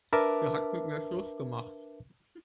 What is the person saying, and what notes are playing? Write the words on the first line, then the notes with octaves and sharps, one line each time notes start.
Sie hat mit mir Schluss gemacht.
D4 A#4 B4 E5 A5 D6